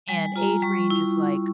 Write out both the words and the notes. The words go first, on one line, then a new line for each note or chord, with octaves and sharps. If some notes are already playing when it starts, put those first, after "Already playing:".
and age range is, like,
G3 G#5
F4 A#5
G3 C#6
E4